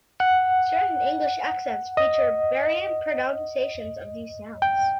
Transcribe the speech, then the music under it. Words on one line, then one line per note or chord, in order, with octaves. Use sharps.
Certain English accents feature variant pronunciations of these sounds.
F#5
D#5
G5